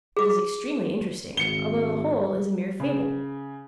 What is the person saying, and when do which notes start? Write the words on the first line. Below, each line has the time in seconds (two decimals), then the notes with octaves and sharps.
It is extremely interesting, although the whole is a mere fable.
0.17 G#4 D6
1.37 G#1 C#7 G7
2.80 C#3